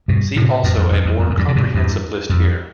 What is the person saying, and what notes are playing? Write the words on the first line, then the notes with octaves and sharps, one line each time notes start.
See also a more comprehensive list here.
G2 B2
A2 C3
F2 A2
F2
F2
E2
F2
F2
E2 G2
C3
G2 B2
E2 G2
F2